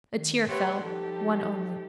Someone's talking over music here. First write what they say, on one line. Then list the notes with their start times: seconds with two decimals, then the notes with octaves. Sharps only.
A tear fell: one only.
0.14 D#3
0.48 G4 B4 C#5 E5 F#5 C6
0.81 F3 D#4 G4 A4